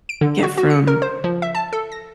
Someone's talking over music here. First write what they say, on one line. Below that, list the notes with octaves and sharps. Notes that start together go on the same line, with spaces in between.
get from
D7
D3
F#4
F#4
C#7
A#4
C5
F3
E5
A5
A4
A#6